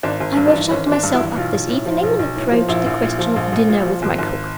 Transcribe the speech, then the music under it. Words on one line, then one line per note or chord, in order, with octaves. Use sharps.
I will shut myself up this evening and approach the question of dinner with my cook.
G#1 D4
G#1
G2
D4
E3
G#1 C#4
G#1
D4
G2
E4
E3
B1 F4
B1
A2
F3
B1
B1
A2
F3
A#1 E4
A#1
A#2
F3
A#1
A#1
A#2
F3
G#1
G#1